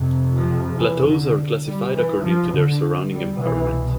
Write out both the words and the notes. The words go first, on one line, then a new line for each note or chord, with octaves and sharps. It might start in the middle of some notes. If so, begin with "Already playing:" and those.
Plateaus are classified according to their surrounding environment.
Already playing: F2 C3
F3
E3
D3
G3
E3
F3
D3
G3
C2 B2 E3